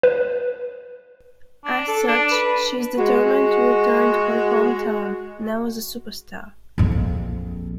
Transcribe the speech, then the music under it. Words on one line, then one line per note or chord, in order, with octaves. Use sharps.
As such, she is determined to return to her hometown, now as a superstar.
B4
D4
A4
D4
B4
G#3 F#4
A#1 F2